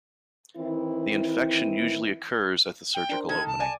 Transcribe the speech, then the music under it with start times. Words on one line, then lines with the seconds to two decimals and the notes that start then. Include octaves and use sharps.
The infection usually occurs at the surgical opening.
0.57 D#3 E3 C4 E4
2.95 G5
3.09 D4 A#4 C5
3.29 D#3 A4 G#6
3.47 C2 A5
3.60 D5 G#5